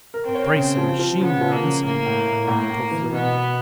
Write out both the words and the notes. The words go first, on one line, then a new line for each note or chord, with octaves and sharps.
"A brace of machine-guns...." I murmured hopefully.
A#4
C4
C#5
C#3 C4
F3
F3
C#3 B3
F3
A#3
C#3
A2 A#3
A2
A2
A2 A#3
A2
E3
B2 B3
B2